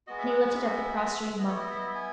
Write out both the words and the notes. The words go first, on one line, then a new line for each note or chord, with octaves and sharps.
And he lifted up the prostrate monk.
G#3 B3 F#4 D#5
E5
F#5
E5
B3 E4 D#5
C#5
D#5
E5
D#5
E5
G#5